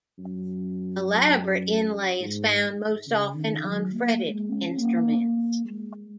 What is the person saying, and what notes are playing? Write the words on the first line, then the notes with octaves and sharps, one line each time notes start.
Elaborate inlay is found most often on fretted instruments.
F#2
G#2
C#3
D#3
F#3
A#3
G#3
C#4
A#3
A#3
G#3